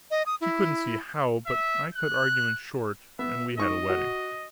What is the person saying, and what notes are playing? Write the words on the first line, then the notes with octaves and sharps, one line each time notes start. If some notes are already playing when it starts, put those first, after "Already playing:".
She couldn't see how, but I cut argument short and we had a wedding.
D#5
D#6
E4
E5
F#6
B3 E5
G#2 D#5 C#6
F#4